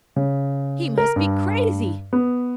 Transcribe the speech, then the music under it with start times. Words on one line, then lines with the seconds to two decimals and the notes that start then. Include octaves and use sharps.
He must be crazy.
0.16 C#3
0.98 A#4
1.16 G2
2.13 B3